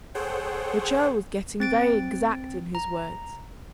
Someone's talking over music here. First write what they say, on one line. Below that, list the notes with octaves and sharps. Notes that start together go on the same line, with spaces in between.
The churl was getting very exact in his words.
G#4 A4 C5 C#5 F#5 G5
C4 A6 D7
A#5